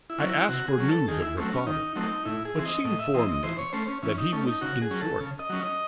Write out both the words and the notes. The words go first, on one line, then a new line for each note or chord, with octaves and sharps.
I asked for news of her father, but she informed me that he was in Zurich.
E4
F#3 C#4
E4
C3 F#4
G#4
F#3 C#4
A4
D#3 G#4
E4
F#3 A3 C4 C#4
C#4
D#3 D#4
F#3 A3 C4 D#4
A2 E4
G#4
E3 C4
D#5
A2 D#5
E5
E3 C4 D#5
D#5
E3 C5
C#5
A3 C#4 C5
C#4
E3 C#4
D#4
A3 C#4
D#4
C#3 F#4
G#4
F#3 C#4
A4
C#3
D#5
F#3 C#4
D#5